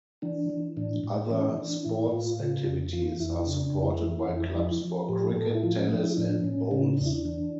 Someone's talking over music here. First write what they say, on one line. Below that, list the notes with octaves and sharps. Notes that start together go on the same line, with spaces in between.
Other sports activities are supported by clubs for cricket, tennis and bowls.
E3 D4
E3
A2 D4
A2
E3 C#4
E3 D4
A2 E4
A2 F4
C#3
F2
E3 F4
F2 E4
C#3 D4
D4
F2
E4
E3
F2
F3
F3
A2 G4
A2 A4
E4
F3 F4
C#4
F3 D4
E4
A2 D4
A2 C#4
C#3 C#4
E2 D4
E4
D4
E3